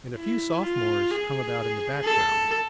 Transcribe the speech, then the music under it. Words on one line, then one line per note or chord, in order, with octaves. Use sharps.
And a few sophomores hung about in the background.
E4
F4
G#4
A4